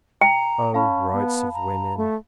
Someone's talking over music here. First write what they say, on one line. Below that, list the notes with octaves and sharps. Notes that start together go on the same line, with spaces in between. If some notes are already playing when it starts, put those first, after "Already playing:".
Oh, rights of women!
G5 A#5
C#4 F5 A5 B5
B3
A#5
A3